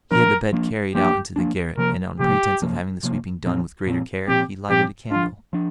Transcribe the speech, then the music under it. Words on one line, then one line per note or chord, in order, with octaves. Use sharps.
He had the bed carried out into the garret, and on pretence of having the sweeping done with greater care, he lighted a candle.
F3 A#3 D4 A#4
F3 A#3 D4
F3 A#3 D4 G4
F3 A#3 D4
C3 F3 A#3 A#4
C3 F3 A#3 G4
C3 F3 A#3
C3 F3 A#3
A#2 F3 C4
A#2 F3 C4
A#2 F3 C4 G4
A#2 F3 C4 G4
F3 D4 F4
F3 D4